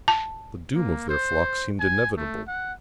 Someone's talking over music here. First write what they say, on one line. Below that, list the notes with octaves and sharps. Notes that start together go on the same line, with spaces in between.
The doom of their flock seemed inevitable.
A5
A#3
C5
G#5
A3
F#5